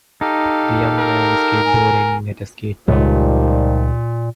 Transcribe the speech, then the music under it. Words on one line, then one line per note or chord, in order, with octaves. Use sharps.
The young man is skateboarding at a skate park.
D#4 G4 A4 F5
A#4
G#5
C#2 A#2 D#3 F3 G3